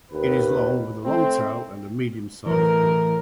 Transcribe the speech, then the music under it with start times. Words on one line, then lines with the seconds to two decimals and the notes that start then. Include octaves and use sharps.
It is long, with a long tail and a medium-sized bill.
0.11 D#2 B4
1.03 A3 C4
2.46 A2 E3 A#4